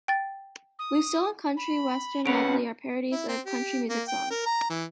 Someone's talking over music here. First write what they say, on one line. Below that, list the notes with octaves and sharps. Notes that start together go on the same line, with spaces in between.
"Lucille" and "Country Western Medley" are parody of country music songs.
G5 A6
D#6
B5
C#3 C#4 B4 F#5 D7 F7
E4
C4
G4
A#3
G5
A#4
A#5
E3